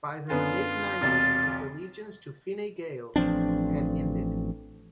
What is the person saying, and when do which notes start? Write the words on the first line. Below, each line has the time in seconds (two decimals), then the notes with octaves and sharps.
By the mid-nineties its allegiance to Fine Gael had ended.
0.30 F#2 D3 B3 F4
1.01 E1 B1 C3 A6
3.16 A1 F3 C4 D4